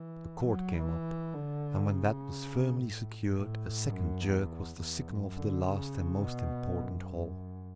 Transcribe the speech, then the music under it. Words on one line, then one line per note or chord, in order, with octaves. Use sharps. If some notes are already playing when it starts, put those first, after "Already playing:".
A cord came up, and when that was firmly secured, a second jerk was the signal for the last and most important haul.
Already playing: E3
F#3
E3
D3
C#3
A2
A2
F#2
E2
E2
F#2
D3
C#3
B2
F#2